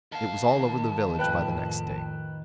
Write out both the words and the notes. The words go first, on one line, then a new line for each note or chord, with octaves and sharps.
It was all over the village by the next day.
D#3 F5 A5
F2 A2 B4 G5 F#6